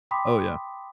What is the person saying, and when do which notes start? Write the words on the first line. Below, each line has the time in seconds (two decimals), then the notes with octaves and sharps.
Oh, yeah.
0.11 G5 B5 C6 D6 D#6 B6